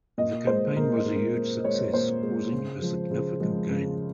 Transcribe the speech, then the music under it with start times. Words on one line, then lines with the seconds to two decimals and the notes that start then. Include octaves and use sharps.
The campaign was a huge success, causing a significant gain.
0.18 A#2 D#5
0.47 G#3 C5
0.76 A#2 A#4
0.96 D#5
1.06 G#3
1.16 A#4
1.35 A#2
1.64 G#3 C#5
1.94 A#2 C5
2.23 G#3
2.52 C#3
2.82 F3 G#3
3.11 C#3
3.40 F3 G#3
3.70 C#3